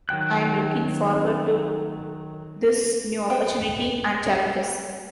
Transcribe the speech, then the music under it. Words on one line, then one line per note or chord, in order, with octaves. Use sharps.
I am looking forward to this new opportunity and challenges.
D#3 F#3 G5 F#6
B3 C5 G5